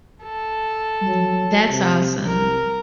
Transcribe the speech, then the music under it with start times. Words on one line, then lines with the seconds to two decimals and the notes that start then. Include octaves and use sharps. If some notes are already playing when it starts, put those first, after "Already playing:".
Mhm, that's awesome.
0.24 A4
1.07 F#3
1.70 C3
2.25 C2 A#4